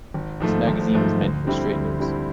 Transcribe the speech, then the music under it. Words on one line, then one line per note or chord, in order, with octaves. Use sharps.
This magazine was meant for straight news.
G#1
G#2 F3 A3
G#1
G#2 F3 A3
D2
D3 G3 C4 E4
D2
D3 G3 C4 E4